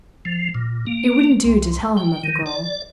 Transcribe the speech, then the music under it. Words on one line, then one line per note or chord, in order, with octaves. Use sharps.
It wouldn't do to tell him of the girl.
F3
A#2
A#3
C2
G5
D#3
D5